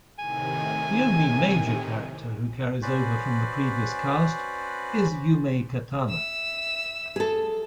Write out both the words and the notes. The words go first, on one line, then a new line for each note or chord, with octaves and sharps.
The only major character who carries over from the previous cast is Yumei Katana.
A2 C3 D#3 G#5
C#4 F#4 B4 C5 D5
E5 E6
G#4 A4